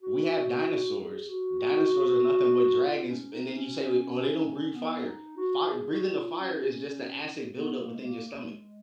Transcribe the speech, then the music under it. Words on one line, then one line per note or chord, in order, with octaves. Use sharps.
we have dinosaurs. Dinosaurs are nothing but dragons, and then you say, we "Oh, they don't breathe fire." Fire breathing the fire is just the acid buildup within your stomach.
F#4
G#4
F#4
F#4
F4
C#4
D#4
C#4
B3
D#4
F#4
G#4
F#4
F4
C#4
B3
A#3
G#3
A#3
A#3
G#3